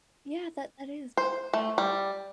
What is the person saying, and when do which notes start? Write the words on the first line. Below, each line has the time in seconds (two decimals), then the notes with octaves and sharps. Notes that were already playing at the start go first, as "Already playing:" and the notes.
Yeah, that that is.
1.17 C5
1.53 A3
1.78 G3